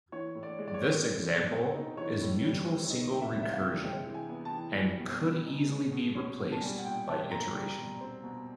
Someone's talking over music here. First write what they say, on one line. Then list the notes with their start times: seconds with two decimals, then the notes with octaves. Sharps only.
This example is mutual single recursion, and could easily be replaced by iteration.
0.12 E3 C#5
0.35 A2
0.43 D5
0.59 G#3
0.67 D5
0.74 C#5
0.82 C4
1.05 G#3
1.28 B2
1.51 C4
1.74 D#4
1.97 E3 C#5
2.21 A2
2.44 G3
2.67 C4
2.90 D#3 D#5
3.14 C3
3.21 E5
3.37 G3
3.43 E5
3.53 F5
3.60 C3
3.83 G#3 G5
4.06 E3
4.14 G#5
4.29 B3
4.45 A5
4.53 E3
4.76 G3 G#5
5.00 B2
5.22 B3
5.46 D#4
5.68 G#3
5.92 B2
6.15 C#4
6.38 B2
6.52 A5
6.61 G3 G#5
6.78 F#5
6.85 A#2 G5
7.08 C4 A5
7.31 A#2 A#5
7.54 G3
7.77 B2
8.01 C4
8.24 B2